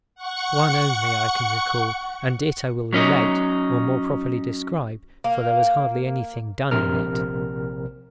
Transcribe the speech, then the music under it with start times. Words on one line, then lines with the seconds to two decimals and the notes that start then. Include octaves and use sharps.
One only I can recall, and it I will relate, or more properly describe, for there was hardly anything done in it.
0.15 F#5 C#6 C#7
2.93 F#3 C#4 D#4
5.24 A#3
6.71 A#1 C3 A#4 F6